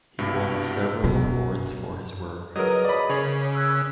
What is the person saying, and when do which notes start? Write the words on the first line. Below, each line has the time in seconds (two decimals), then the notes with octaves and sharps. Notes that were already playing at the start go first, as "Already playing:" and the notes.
He won several awards for his work.
0.19 C2 G2 B2
1.04 B2 F#3
2.56 F#3 G#4 A#4 B4 C#5 D#5
2.85 D5 B5 A6
3.09 C#3 G#4 A#4 C#5 G#6 F#7
3.55 E6 F#6